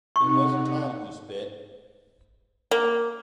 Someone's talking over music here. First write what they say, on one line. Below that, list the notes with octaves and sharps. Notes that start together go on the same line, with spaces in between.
It wasn't Tom who spit.
C3 D#4 F#5 C#6
A#3